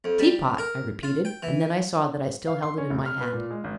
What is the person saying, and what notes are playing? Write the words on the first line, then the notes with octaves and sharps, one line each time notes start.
"Teapot?" I repeated, and then I saw that I still held it in my hand.
F2
G3
A#4
F4
G5
E3
F5
C6
C#4
F1
F6
B4
A#2
G#3
G#1